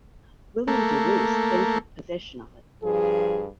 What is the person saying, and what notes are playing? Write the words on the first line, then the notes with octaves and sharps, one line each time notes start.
William De Ros then took possession of it.
A3 A#3
G2 F3 G#4